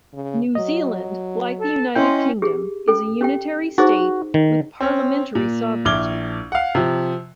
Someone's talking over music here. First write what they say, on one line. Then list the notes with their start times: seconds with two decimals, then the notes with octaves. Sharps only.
New Zealand, like the United Kingdom, is a unitary state with parliamentary sovereignty.
0.14 C#3
0.55 F#3 D#5
1.59 A4
1.96 C#4 E4 D#5 G5 C6
2.42 G4 G#4
2.88 C#4 A4
3.21 C#4 G4 G5
3.78 D#4 F#4 G#4 C5
4.34 D#3
4.81 C4 C#4
5.35 A#2
5.85 A#1 E4 D6 F6 G#6 G7
6.52 F5 F#5
6.75 C3 F3